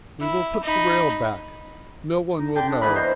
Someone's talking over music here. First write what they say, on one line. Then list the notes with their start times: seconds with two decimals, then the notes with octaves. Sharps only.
We will put the rail back; no one will know.
0.21 E4
0.63 D#4 B5
2.37 D#4
2.56 D3 G5
2.69 D4
2.82 E3 B3 A#4 B5
2.96 C5 D#5